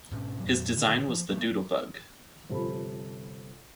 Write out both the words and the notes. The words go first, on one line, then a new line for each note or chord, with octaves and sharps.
His design was the Doodle Bug.
G#2 B2 C#4
F2 A#2 F#3
A#2 D3 D#3
F3
F#3 G#3 A3 B3
G1 C3 F3 A4 B5